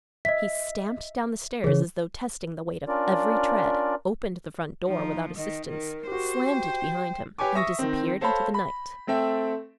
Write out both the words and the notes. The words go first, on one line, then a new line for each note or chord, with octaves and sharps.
He stamped down the stairs as though testing the weight of every tread, opened the front door without assistance, slammed it behind him and disappeared into the night.
D#5 E5 B6
C#3 E3 G#4 C#5
C#4 D4 F4 A#4 D5
F3 D#4
D#3 D#5
D#3 A#4
F#4 G4 C5
G5
G4 B4 C#5 G#5 D6
E5 C#6 D#6 A#6
D#3 C4
A4 C5 C#5 F5 A5 B5
B5
A3 C4 A4 E5 G5